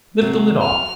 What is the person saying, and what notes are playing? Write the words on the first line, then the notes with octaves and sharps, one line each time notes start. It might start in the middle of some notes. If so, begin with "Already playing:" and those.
"Lift the lid off!"
C3 F#3
F6